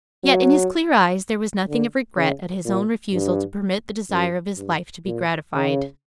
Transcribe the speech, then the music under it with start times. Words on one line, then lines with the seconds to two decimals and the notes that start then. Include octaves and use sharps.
Yet, in his clear eyes there was nothing of regret at his own refusal to permit the desire of his life to be gratified.
0.24 F#3
1.68 D3
2.16 C#3
2.65 A#2
3.13 G2
4.10 F#2
4.57 G2
5.06 A#2
5.54 C#3